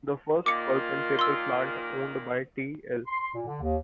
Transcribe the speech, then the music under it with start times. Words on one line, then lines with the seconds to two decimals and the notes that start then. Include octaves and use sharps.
The first pulp and paper plant, owned by T.-L.
0.46 A#2 D#3 A#3 F4 D6 C#7
1.19 C6 E6
3.06 C6
3.19 C6
3.34 A#2
3.47 D3
3.61 D#2